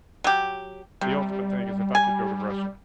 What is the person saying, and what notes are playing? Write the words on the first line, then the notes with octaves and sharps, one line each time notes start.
the ultimate thing is if I could go to Russia.
F#3 G4
C3 G3
G#5